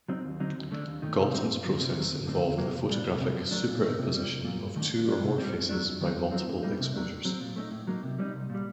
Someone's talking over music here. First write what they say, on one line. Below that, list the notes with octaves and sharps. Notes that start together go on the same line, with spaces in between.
Galton's process involved the photographic superimposition of two or more faces by multiple exposures.
F#3 C4 D#4
D#2
D3 F#3 C4 D#4
D2
D3 A3 D4
D#2
D#3 A3 D#4
C3
G3 C4 D#4
G2
D3 F#3
C3
D#3 F#3 C4
D2
D3 A3 C4 D#4
D2
C3 F#3 A#3
C2
A#2 G3 D4
C2
C3 G3
F#2
F#3 A3 D4
A#2
A3 D#4
C3
G3 C4
C2
A#2 F#3
G2
D#3 A3 D4
A#2
G3 D4
C3
G3 C4
F#2
F#3 A3 D4
F#2
D#3 F#3 A3 D#4
F#2
F#3 C4 D#4
A2
G3 A#3 D#4
C3
F#3 A3 D4
A2
F#3 C4
A#2
A3 C4 D#4
A2
F#3 A#3 D#4
C3
G3 C4 D#4
C2
A#2 G3